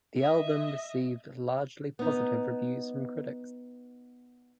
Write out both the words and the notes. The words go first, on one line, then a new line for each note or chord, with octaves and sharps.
The album received largely positive reviews from critics.
D#5 E5
B3 D#4